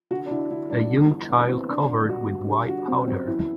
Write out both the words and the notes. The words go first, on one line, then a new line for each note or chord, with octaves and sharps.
A young child covered with white powder.
D3 F#4
D4
D3 E4
D3 E4
G2 D4
D3
E2
D3 B3
E2 C4
D3 D4
D3
G2 F#4
G2
D3 G4
D3 F#4
F#2 C4
F#2 C4
E2 E4